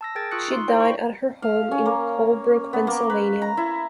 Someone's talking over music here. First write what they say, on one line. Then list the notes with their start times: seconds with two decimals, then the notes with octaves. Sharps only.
She died at her home in Colebrook, Pennsylvania.
0.01 A5 E6 A#6
0.15 G#4 A#4 G5 G#6 A6 D7
0.31 F4 C#6 D#6 E6 F#6 C#7
0.48 D#4 C6
0.68 E4 C5 D5 G5
0.80 B5 C#6
1.42 F5
1.71 C#4
1.86 A#3
2.73 B3
2.87 A#3
3.10 B4
3.42 A#5
3.57 E4